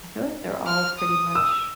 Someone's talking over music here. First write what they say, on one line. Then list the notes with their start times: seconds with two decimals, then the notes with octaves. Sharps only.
I feel like they're all pretty much
0.66 F6
0.98 D#6
1.35 E6